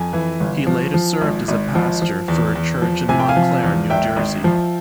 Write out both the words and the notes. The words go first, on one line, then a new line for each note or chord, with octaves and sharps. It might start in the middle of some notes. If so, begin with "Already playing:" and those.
He later served as a pastor for a church in Montclair, New Jersey.
Already playing: F2 G#5
E3
G1
F3
F3
G#1
G#1
F3
F3
E2
E2
F3
C3 G#5
G5
F5 G#5
F3
E2
G#1 E5 G5
G#1
F3